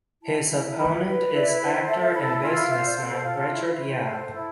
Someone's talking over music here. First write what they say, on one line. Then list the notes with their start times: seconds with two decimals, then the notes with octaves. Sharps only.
His opponent is actor and businessman Richard Yap.
0.22 E4 A5
0.50 E4
0.77 B4 B5
1.04 B4
1.32 E4 D5
1.59 C5
1.87 A4 E5
2.00 E5
2.14 E4 B5
2.28 A5
2.42 F4 G#5
2.55 F5
2.69 C5 E5
2.83 D5
2.96 A4
3.24 F4
3.52 E4
3.79 C5
4.07 A4
4.34 E4